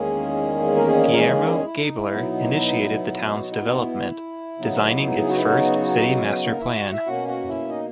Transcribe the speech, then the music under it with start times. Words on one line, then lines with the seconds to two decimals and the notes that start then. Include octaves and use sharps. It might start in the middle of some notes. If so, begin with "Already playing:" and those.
Guillermo Gaebeler initiated the town's development, designing its first city master plan.
Already playing: E2 D#3 G#3 A#3 C#4 G#4
0.77 A#4
0.87 G#3 G#4
1.12 A#4
1.18 G#3 G#4
1.45 A#4
1.49 G#3 G#4
1.65 E4
1.80 D#4
1.96 E4
2.12 B2 F#3 B3 D#4
3.35 F#3 F#4
3.51 E4
3.66 D#4
3.82 E4
4.59 C#3 F#3 B3 D#4
5.21 G#4
5.29 F#4
5.37 E4
5.45 F#3 F#4
6.45 A#3 A#4
6.60 E4 E5
6.76 F#4 F#5
6.92 E4 E5
7.07 B2 A#3 C#4 F#4 F#5
7.28 F#4 F#5
7.48 E4 E5
7.69 D#4 D#5